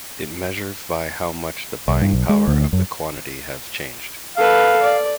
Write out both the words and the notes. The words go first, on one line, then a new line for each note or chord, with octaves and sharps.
It measures by how much the buying power of the quantity has changed.
C2
G2
B1
G#3
D2
F#2
A4 B4 F5
D5